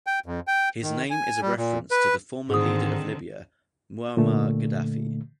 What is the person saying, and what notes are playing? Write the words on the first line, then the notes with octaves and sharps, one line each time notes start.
His name is a reference to the former leader of Libya, Muammar Gaddafi.
G5
F2
G5
D#3
G#5
G3
A#2
B4
G#2 D3 D#3 C4 G#4 D#6
A#2 D3 A3